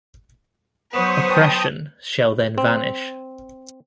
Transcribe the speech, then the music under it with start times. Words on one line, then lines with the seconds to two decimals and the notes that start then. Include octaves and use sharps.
Oppression shall then vanish.
0.93 F#3 B3 B4 C5 C#6 D#6
1.29 G5 A5 D#6
2.58 C4